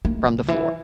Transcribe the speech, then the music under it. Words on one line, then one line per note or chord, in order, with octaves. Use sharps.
From the floor.
A#3
C#3
E3